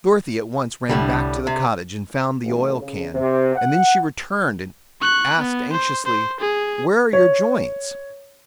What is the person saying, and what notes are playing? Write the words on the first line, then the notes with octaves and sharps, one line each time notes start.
Dorothy at once ran back to the cottage and found the oil-can, and then she returned and asked anxiously, "Where are your joints?"
C2 A2 D3 G3
C3
A1
C#3
C3
F#5
C#6 F#6
B3
C5
C5
G#4
C#5